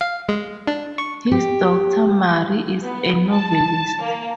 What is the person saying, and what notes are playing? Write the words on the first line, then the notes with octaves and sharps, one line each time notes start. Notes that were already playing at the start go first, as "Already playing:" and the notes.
His daughter Marie is a novelist.
F5
G#3
D4
C#6
G4
B3
A5
A#3